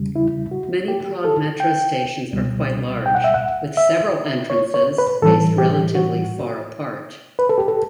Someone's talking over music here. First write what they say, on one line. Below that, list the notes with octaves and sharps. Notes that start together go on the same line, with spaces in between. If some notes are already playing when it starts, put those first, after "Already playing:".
Many Prague Metro stations are quite large, with several entrances spaced relatively far apart.
Already playing: E2 C#3 G3
E4
F#4
G4
A4
G5
C#2 B2 G3
G5
F#5
E5
F#5
E5
C#5
C#5
B4
A2 E3 G3 A4
G4
F#4
B4
A4
G4
A4